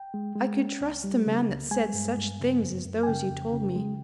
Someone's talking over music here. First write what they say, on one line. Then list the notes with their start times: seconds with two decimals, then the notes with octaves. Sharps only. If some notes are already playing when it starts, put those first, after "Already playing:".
I could trust the man that said such things as those you told me.
Already playing: G5
0.14 G#3
0.35 G#3
0.58 C#4
0.81 C2
1.04 G3
1.26 C#3
1.49 C#2
1.71 G#3 G#5
1.94 G2
2.18 G2
2.40 C#3
2.62 F#2
2.85 F#2
3.03 G#5
3.07 C#3 G5
3.30 F2
3.53 C#3
3.76 G#3